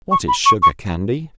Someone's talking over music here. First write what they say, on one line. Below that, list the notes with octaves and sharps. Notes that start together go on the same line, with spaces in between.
What is Sugar Candy?
C#6
B5
C#6
C#6